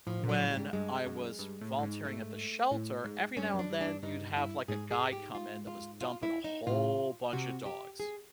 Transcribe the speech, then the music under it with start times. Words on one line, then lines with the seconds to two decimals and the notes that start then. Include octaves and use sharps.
when I was volunteering at the shelter, every now and then you'd have like a guy come in that was dumping a whole buncha dogs.
0.07 A2 F3
0.23 A#2
0.29 F#3
0.39 A2
0.51 G3
0.57 G#2
0.73 G2 G#3
1.06 F#2
1.39 G2
1.61 A2
1.78 A2
1.83 G#2
2.05 A3
2.71 A2
3.04 G#2
3.37 G2 C#4
3.53 F#2
3.59 D4
3.70 G2
3.81 D4
3.86 G2
4.03 G2 D#4
4.37 E4
4.68 G#2 G#4
4.91 G#4
5.13 G4
5.35 F4
5.67 F4
6.01 F4
6.23 E4
6.44 D#4
6.67 A2 F4
7.33 C3 F#4
7.66 G4
8.00 G#4